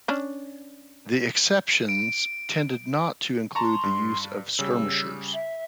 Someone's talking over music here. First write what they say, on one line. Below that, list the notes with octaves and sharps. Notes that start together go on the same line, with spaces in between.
The exceptions tended not to include the use of skirmishers.
C#4 D4
D7
A5 A#5 C6 C#6
G2
C#3 G3 E6
E5